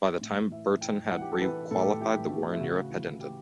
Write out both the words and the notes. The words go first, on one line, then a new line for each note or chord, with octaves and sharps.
By the time Berton had requalified, the war in Europe had ended.
A2
E3 E5
E3 G5
E3 F#5
G4
A4
E3 B4
A2 A4
G4
A4
E3 G4
A2 F#4
E4
C#3 F#4
E3
G4